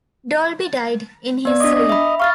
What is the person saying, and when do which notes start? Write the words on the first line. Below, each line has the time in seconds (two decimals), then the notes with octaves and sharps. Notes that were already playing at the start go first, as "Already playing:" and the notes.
Dolby died in his sleep.
1.45 B3 D5
1.60 D4 D#5 D6
1.74 D#5
1.89 E5 B5
2.20 F5 C#6 F6 A6